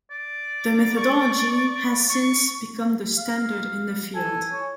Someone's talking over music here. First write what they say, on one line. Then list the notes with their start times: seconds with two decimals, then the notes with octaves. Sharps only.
The methodology has since become the standard in the field.
0.11 D5
0.96 C#6
2.09 C#6
3.17 F5
4.15 A4 G#5
4.53 C#5